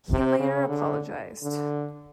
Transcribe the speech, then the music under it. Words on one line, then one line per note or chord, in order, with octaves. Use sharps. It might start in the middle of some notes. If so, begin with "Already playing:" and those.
He later apologized.
C3
C#3
D3
D3